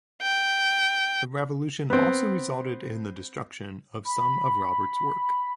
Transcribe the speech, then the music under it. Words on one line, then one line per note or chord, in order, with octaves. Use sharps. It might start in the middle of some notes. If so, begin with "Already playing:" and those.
The Revolution also resulted in the destruction of some of Robert's work.
G5
B3 C4
B5